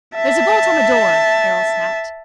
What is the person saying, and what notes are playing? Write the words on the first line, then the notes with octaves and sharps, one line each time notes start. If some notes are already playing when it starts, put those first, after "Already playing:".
"There's a bolt on the door!" Carroll snapped.
E5 A5